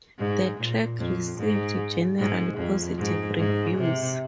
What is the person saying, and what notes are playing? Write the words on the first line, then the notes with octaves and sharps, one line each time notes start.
The track received generally positive reviews.
G#2
A#2
F2
G#2
G#2
F2
G#2
G#2
C3